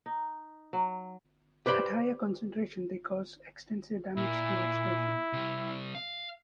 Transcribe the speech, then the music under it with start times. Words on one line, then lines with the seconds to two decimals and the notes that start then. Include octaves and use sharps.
At higher concentrations they cause extensive damage to vegetation.
0.06 D#4
0.73 F#3
1.66 G4 B4 C5 D5 B5
4.17 A#2 E4
5.33 C3 G3
5.95 F5